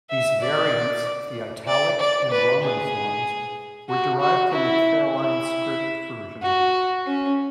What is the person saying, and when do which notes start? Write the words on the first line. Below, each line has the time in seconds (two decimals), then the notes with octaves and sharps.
These variants, the "Italic" and "Roman" forms, were derived from the Caroline Script version.
0.10 E5
0.41 D5
1.68 D5
2.00 D5
2.31 B4
2.63 G#4
3.89 F#4
4.20 F#4
4.52 E4
5.16 E4
6.42 F#4
7.06 C#4